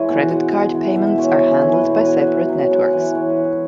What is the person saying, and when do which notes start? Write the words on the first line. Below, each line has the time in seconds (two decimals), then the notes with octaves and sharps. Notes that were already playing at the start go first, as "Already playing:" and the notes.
Credit card payments are handled by separate networks.
Already playing: E3 G#3 B4 C#5 E5 G#5
0.09 B2 F#5
0.30 G#3 F#5
0.52 G#3
0.74 E3
0.96 B2 E5
1.07 E5
1.18 G#3 C#5
1.29 E5
1.39 G#3 C#5
1.51 G#4
1.62 E3 G#4
1.73 B4
1.83 B2 C#5
1.94 F#5
2.05 G#3 G#5
2.16 F#5
2.27 B2 E5
2.49 F#3
2.71 G#3 F#5
2.82 F#5
2.93 E3 G#5
3.03 F#5
3.15 G#3 C#5
3.29 B4
3.37 E3
3.44 G#4